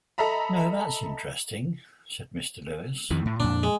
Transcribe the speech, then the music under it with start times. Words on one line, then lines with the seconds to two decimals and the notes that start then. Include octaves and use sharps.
"Now that's interesting," said Mr. Lewis.
0.18 A4 D#5 E5 A#5 B5
3.10 F2 D#3 E3
3.25 A2
3.40 F2 A#2 D4
3.63 G#3